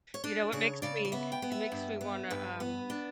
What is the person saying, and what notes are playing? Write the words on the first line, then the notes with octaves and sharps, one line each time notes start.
You know, it makes me it makes me wanna, um,
C#5
D4 D5
C#3 C#5
C#3 D5
D5
B3 E5
G5
B3
E5
G2
B3
G2 B4
B3
D4